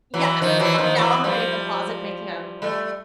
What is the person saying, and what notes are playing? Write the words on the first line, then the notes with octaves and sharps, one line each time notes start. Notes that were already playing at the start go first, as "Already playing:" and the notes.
Yes, I'm now I'm hiding in the closet making a
E3 F#3
D#3 F3
E3 F#3
D#3 F3
E3 F#3
F3 G3
G3 A3